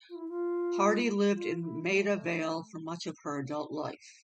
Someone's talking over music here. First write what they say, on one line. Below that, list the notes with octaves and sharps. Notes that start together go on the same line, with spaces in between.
Hardy lived in Maida Vale for much of her adult life.
F4
E4
F4
F4
E4
A3